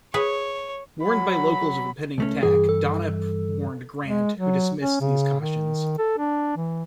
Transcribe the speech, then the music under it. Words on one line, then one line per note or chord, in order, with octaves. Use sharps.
Warned by locals of impending attack, Donop warned Grant, who dismissed these cautions.
G#4 B4 C#5 G#5
F#3 B5
C#2 A3 C#4
G2 E3 G#4
A4
G#3
F#3
C#4
C#3
D#3
A4
D4
E3